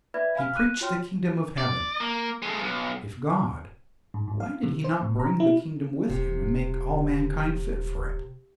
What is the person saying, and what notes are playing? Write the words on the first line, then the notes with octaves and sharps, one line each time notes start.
He preached the kingdom of heaven: if God, why did he not bring the kingdom with him and make all mankind fit for it?
B4 D5 E5 B5 G#6
F5 G#5 B5 F6
F#6 D#7
F4 F#4 C#5 G5 C6 F6
D5
A#3
G#3 A3
B1 G2
G#2
G#2
F5
C3
C5
A2
A#5
E4
D#1 C3